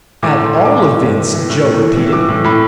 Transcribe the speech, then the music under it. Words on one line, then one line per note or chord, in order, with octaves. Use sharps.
"At all events!" Joe repeated.
A2 D6
A2 C6
A2
D6
A2
A2
A2
E3
E3
A2
A2
E3
E3
E3 D6
A2
A2 B5